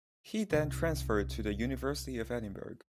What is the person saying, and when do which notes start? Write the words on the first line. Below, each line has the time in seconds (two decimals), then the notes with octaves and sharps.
He then transferred to the University of Edinburgh.
0.51 C2 C#4